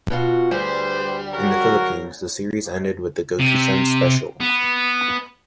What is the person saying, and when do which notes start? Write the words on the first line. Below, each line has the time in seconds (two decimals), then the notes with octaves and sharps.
In the Philippines, the series ended with the "Gokusen" special.
0.10 B2 F4 F#4
0.51 D2 G3 G#4 B4 C5
1.32 C#3 F#3 F#4 A#4
3.40 C3
4.40 B3